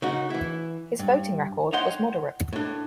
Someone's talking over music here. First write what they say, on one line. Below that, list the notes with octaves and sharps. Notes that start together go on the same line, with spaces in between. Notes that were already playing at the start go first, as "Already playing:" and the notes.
His voting record was moderate.
C#3 D#4 F#4
E3 E4
G2
C#5 D#5 F#5 G5 C6
A2 D4